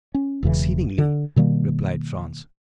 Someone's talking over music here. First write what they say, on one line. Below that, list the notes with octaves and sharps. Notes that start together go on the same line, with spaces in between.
"Exceedingly," replied Franz.
C#4
E1 E2 C#3 E3
D3
B2 D#3 G3 A#3